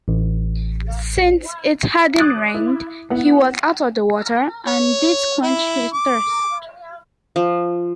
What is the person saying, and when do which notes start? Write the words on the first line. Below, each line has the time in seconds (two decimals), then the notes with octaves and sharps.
Since it hadn't rained, he was out of water and this quenched his thirst.
0.08 A1
2.19 D6 D#6 F#6 G#6 A6
2.54 E4
3.10 B3 E4 F#5
4.67 C#5
5.42 E4
5.94 D6
7.36 F3